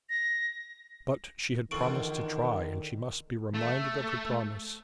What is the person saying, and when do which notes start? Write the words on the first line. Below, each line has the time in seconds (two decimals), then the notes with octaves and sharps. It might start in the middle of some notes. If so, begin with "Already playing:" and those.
But she had promised to try, and she must be reminded of her promise.
0.09 A#6
1.71 E2 D3 D#3 F4 A4 C#6 D7
3.54 A3